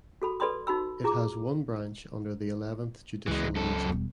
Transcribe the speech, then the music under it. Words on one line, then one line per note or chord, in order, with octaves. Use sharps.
It has one branch under the Eleventh Judicial Region.
F#4 A4 B5
A4 B4 D5 B5 C6 D#6
D#4 F#4 B5 E6
F4 G#4 A#5 D6
C#2 E3 G#3
F#2 A4
E1 G3